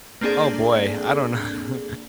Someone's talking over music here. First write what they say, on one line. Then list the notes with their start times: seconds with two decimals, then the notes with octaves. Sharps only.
Oh, boy. I don't kn
0.21 A#3 C4 D4 G#4 A4 D5